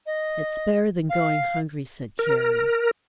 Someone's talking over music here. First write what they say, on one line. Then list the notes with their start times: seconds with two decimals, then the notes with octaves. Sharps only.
"It's better than going hungry," said Carrie.
0.06 D#5
1.09 F5
2.19 A#4